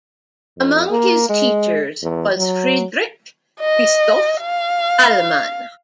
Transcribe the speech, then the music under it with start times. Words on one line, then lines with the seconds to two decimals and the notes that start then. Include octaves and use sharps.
Among his teachers was Friedrich Christoph Dahlmann.
0.57 F2
0.90 A#3
1.29 G#3
2.02 E2
2.37 F#3
3.60 D#5
4.41 F5